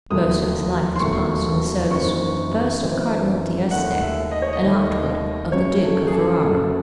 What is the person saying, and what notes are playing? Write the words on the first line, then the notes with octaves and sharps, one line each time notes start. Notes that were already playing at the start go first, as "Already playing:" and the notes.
Most of his life was passed in the service first of Cardinal d'Este, and afterward of the Duke of Ferrara.
E1 D#2 D#3 F#3 A3 D#6
C6
E1 D#2 D#3 F#3 A3 C#6
F#1 F#2 E3 C4 D#4 C#6
F#1 F#2 E3 C4 D#4
D#2 D#3 A3 F#5
E5
D#5
C#5
D#5
D#2 D#3 A3
F#1 F#2 C#3 F#3 C#5
A4
G#4
A4
F#1 F#2 C#3 F#3 A4